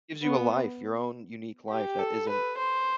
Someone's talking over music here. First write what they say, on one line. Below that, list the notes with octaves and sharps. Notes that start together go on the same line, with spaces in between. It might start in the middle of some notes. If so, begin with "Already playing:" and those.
gives you a life, your own unique life that isn't
B3
G4
A4
B4
C5